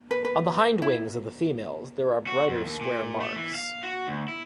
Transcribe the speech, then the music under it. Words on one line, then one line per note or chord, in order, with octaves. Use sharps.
On the hindwings of the females there are brighter square marks.
B4
B4
E4
F#4
F2
D#2
A#2
A3
E3
F5
F#4
D2
E4